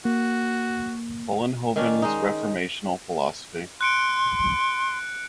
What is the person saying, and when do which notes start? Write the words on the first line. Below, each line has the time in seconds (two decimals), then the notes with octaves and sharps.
Vollenhoven's Reformational philosophy.
0.05 A#3 F#4
1.76 D#3 C#4 D4
2.02 G#3 D#4
3.81 C6 F#6 C#7 D7